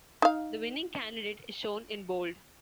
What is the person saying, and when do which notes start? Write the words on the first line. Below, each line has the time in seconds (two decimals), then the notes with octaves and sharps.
The winning candidate is shown in bold.
0.22 D#4 F5